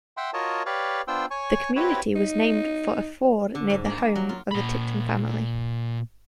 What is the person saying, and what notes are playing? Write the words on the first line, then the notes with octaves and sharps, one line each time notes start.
The community was named for a ford near the home of the Tipton family.
E5 F#5 G5 C6
F4 F#4 A#4 C#5 D#5 A5
G4 B4 C#5 D5 F5
B3 D4 F4 C5 G5 E6
C#5 G#5 C#6
C4 E4 F#4 G4 B4 C#5
D#4
D3
G#2
A#3
G#3
F#3
F4
A#2 B5